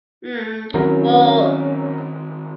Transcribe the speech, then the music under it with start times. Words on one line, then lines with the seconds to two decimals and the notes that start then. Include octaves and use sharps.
Mm, well,
0.74 D#3 F#3 C4 C#4 E4 A#4